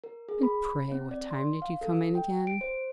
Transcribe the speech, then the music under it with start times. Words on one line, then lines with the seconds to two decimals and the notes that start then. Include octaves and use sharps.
"And pray what time did you come in again?"
0.04 A#4
0.29 G#4
0.43 B5
0.92 C4
1.11 D5
1.31 C6
1.62 F5
1.81 A4
2.15 G5
2.47 D7
2.61 C5